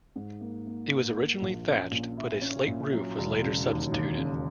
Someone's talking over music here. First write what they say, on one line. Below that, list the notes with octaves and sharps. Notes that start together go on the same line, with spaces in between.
It was originally thatched, but a slate roof was later substituted.
G#2
A#3
A#3
A#3
A#3
A#1
C#4
A#2
E4
C#4
A#2
F#3
E1
C#3
D#2
D#2
C#3